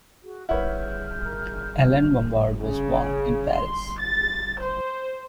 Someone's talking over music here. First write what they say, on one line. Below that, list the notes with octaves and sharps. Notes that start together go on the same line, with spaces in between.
Alain Bombard was born in Paris.
F#4 G#4
E4 G#4 B4 C#5 F#5 F6 G6
A#4
C#3
C6
A6
C5